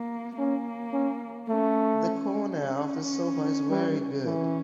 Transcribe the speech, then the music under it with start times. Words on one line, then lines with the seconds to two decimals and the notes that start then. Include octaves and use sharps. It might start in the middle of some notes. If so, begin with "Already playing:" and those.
The corner of the sofa is very good.
Already playing: A#3
0.38 A#3 C#4
0.93 C#4
1.49 A3 C#4
2.04 C#4
2.59 C#4
3.70 G3
4.25 E3 C#4